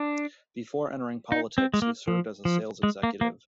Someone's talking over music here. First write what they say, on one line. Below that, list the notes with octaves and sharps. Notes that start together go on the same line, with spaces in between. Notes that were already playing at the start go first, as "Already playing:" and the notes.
Before entering politics, he served as a sales executive.
Already playing: D4
D#4
C4
G#3
A#3
F3
F3
G#3
A#3
A#3